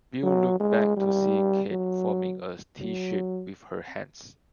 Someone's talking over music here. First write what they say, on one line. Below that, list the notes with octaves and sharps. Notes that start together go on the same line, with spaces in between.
Bill looked back to see Kate forming a T-shape with her hands.
F#3
G#3
G3
F#3
F#3